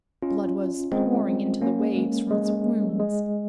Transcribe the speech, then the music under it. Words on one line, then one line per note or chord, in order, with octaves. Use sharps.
Blood was pouring into the waves from its wounds.
C#4 F4
G#3 C4
A#3 C#4
G#3
G#3
G3
G#3